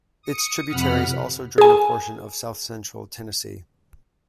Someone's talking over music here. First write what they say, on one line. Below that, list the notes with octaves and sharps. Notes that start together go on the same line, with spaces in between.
Its tributaries also drain a portion of south-central Tennessee.
D#6 C#7
F2 C3 F#5 B5 F6
G#4 G#5